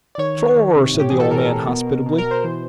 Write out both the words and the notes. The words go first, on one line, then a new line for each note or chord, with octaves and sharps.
"Shore!" said the old man hospitably.
D5
D#3 C#5
D#3
D#3
C3
A2
G4
E3 G#4
A4
E3 A#4
E3
B2
B2
B2
A#4
B2
C5
E3